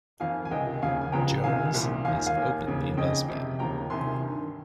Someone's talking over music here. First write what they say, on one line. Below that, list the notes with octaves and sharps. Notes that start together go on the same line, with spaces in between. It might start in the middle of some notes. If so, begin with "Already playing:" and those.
Jones is openly lesbian.
F2 D#3 F5 G#5
G#5
C#2 C3 D#3 D#5 G5
D#2 C#3 F3 F5 G#5
G#5
C#2 C#3 F3 G5 A#5
C#2 C3 D#3 F5 G#5
C2 A#2 F3
D#2 D#3 F5 G#5
F5 G#5
D#2 D#3
D#2 C#3 F3
F2 C#3 F3 D#5 G5
F2 C3 F3
D#2 C#3 F3 G5 A#5
C2 C3 D#3 G#5 C6
G2 D#3